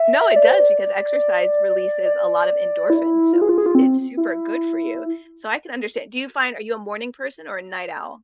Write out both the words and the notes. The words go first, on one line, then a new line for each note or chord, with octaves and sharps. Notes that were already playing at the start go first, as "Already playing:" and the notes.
No, it does, because exercise releases a lot of endorphins, so it's it's super good for you. So I can understan do you find are you a morning person, or a night owl?
Already playing: E5
D5
C5
D5
D5
D5
E4
F4
G#4
F4
G#4
F4
C4
E4